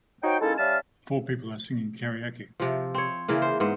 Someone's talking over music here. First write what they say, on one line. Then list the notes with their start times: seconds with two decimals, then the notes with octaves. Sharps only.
Four people are singing Karaoke.
0.23 D#4 F#4 C5 C#5 G5
0.41 G#3 A#3 C#4 D#4 E4 A4
0.58 G3 C#4 E5 F5 A5 F6
2.60 C3 F3
2.95 C4 C#5
3.28 C#3 E3 A#3
3.42 C5
3.60 G#2 B3 C5